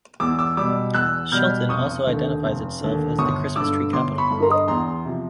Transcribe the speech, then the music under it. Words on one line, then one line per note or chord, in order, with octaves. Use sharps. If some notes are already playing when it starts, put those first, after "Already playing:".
Shelton also identifies itself as the "Christmas Tree Capital".
E2 D6 E6
D6 E6
B2 G3 D6 E6
E2 E6 F#6
B2 G3 F6 G6
F1 C#6 D#6
D#2 D3
F1
D#2 D3
G1 C#6 D#6
G2 D3 D6 E6
G1 C6 D6
B5 C#6
G2 D3
A#5 C6
E2 A#5 C6
C3 F3